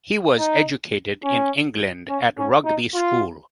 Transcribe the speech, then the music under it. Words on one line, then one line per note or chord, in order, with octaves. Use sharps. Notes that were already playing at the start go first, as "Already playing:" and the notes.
He was educated in England at Rugby School.
D#4
C#4
C#4
C#4
D#4
F4